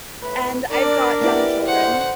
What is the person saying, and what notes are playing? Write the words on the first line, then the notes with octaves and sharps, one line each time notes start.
And I've got young children,
A2 B4
D4 A#4 D5
B3 E4 G4 D5
B2 D3 C5 F#5